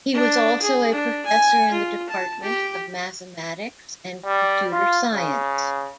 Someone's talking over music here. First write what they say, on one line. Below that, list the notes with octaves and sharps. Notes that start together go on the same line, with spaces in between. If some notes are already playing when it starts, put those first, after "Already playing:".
He was also a professor in the department of mathematics and computer science.
D4
G#4
D4
G#5
F4
A5
G4
G3
F4
C#3